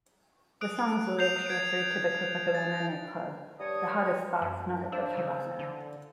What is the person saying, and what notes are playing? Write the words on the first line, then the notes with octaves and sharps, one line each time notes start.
The song's lyrics refer to the Copacabana nightclub, "the hottest spot north of Havana".
D#6 F#6 D7
G6 C7 F7
G6 G#6 D7
A6
G2 G3 C#5 D#6
F#2
D4 C5 F5 E6
C#3
D3